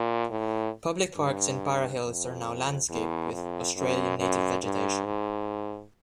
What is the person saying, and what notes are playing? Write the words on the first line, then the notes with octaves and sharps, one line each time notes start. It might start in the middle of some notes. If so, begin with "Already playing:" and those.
Public parks in para hills are now landscaped with Australian native vegetation.
Already playing: A#2
A2
G2
F2
E2
F2
F#2
F#2
G2
G#2